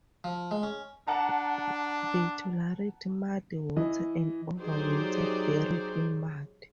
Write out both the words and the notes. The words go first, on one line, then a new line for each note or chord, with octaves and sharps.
They tolerate muddy water and overwinter buried in mud.
F3
G#3
C#4
D4 F#5 A5 A#5
E3 D#5
F#3 D#4 G4 G#4 C5 D5